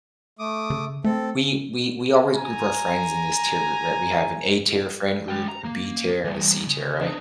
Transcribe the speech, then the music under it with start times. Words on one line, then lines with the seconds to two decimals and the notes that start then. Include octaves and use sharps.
we we we always group our friends in this tier group, right? We have an A-tier friend group, a B-tier, and a C-tier, right?
0.39 A3 D6 D#6
0.70 C#3
1.04 A3 C4 A4
2.33 G#5 A#5
5.28 G#3 G5
5.48 A#5
5.64 A#3
6.24 E3 G3
6.66 C#3
7.01 D4 D#4